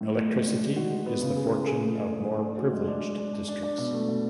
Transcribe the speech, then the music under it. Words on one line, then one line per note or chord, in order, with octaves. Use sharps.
Electricity is the fortune of more privileged districts.
A2
A2
G#3
D4
G#3
F#4
G#3
B3
C#3
G#4
G#4
G#4
A3
A3
D4
A3
D4
F#4
G#3
D4
G#3
D4
D4
D4
D4
B2
A3
B2